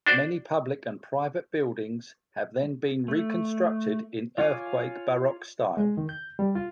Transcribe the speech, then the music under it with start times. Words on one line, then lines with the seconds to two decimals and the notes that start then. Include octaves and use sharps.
Many public and private buildings have then been reconstructed in earthquake Baroque style.
0.07 D4 F#4 C5 D5
3.08 A3
4.38 F4 C#5 F5 G#5 D6
5.77 G#3
5.97 D#3
6.09 G6
6.39 G3
6.55 F4